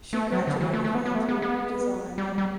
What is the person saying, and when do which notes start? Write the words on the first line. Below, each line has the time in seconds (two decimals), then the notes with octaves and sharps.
She graduated in interior design.
0.13 A3
0.32 F#3
0.47 D3
0.61 E3
0.74 A3
0.85 A3
0.95 B3
1.05 B3
1.15 A3
1.29 B3
1.42 B3
2.18 G3
2.38 G3